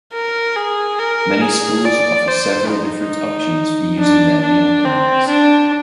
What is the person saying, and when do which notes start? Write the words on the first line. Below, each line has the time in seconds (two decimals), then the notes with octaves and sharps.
Many schools offer several different options for using their meal plans.
0.13 A#4
0.56 G#4
0.99 A#4
1.41 G#4
1.85 D5
2.28 C5
2.70 D#4
3.99 D4
4.42 D4
4.85 C4
5.28 D4